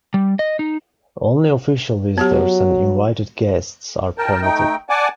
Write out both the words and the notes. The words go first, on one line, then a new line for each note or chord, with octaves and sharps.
Only official visitors and invited guests are permitted.
G3
D#5
D#4
F#3 B3 F#4 G4
A#4 G5 A5
A3 D#4 G5
D5 F#5 G#5 A5 D6